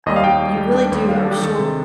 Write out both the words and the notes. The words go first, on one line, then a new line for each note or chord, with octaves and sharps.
um, you really do, I'm sure,
D#2 D#5
F5
D#2 G5
G3
G3
D4
D#2
G3 F5
A4
D4
G4
D#3 A4
C3